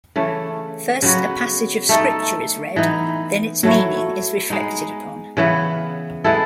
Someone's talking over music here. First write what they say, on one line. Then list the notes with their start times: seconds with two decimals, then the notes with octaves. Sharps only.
First a passage of Scripture is read, then its meaning is reflected upon.
0.16 C#3 E3 A3
1.02 C#3 F#3 B3 F#4
1.89 A3 D#4 A4
2.76 E3 B3 D#4
3.63 F#3 A3 E4
4.50 G#3 B3 D#4
5.37 C#3 E3 B3
6.24 G#3 B3 E4 A4